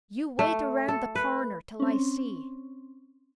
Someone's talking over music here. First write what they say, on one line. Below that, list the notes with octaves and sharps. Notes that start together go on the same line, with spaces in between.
"You wait around the corner till I see."
A3
A4
B4
C4 C#4